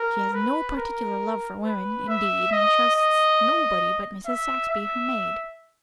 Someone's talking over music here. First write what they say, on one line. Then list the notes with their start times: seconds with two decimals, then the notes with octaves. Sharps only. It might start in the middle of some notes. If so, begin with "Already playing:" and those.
She has no particular love for women, indeed, and trusts nobody but Mrs. Saxby, her maid.
Already playing: A#4
0.34 B4
0.77 A#4
1.65 B4
2.08 E5
2.52 D#5
2.95 D#5
4.26 E5
4.70 E5